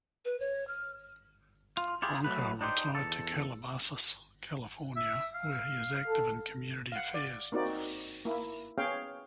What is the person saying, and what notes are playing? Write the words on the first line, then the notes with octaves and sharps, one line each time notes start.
Ronka retired to Calabasas, California, where he is active in community affairs.
B4
C#5
F6
F4
E4 F4 G4 G#4
F#3 A3 B4
D4 D#4 G4 C5
E2 A4
E5
F5
A4
F5 F#5
D5
A#3 C4 D#4 F#4 D5
A#3 E4
B3 C#4 G#4 C#5 F5 G5